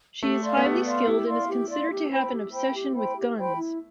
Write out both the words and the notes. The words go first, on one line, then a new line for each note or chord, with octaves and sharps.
She is highly skilled and is considered to have an obsession with guns.
A3 G4
D5 F5 C6
B3
A3 G4
D5 F5 C6
E4 G4
D5 F5 C6
G4
D5 F5 C6
G4
C5 G5 B5
G4
C5 G5 B5
G4
C5 G5 B5
G4
C5 G5 B5
E4